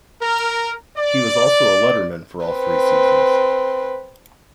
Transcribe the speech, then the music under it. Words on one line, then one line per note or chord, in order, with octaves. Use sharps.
He was also a letterman for all three seasons.
A#4
D5
C4 B4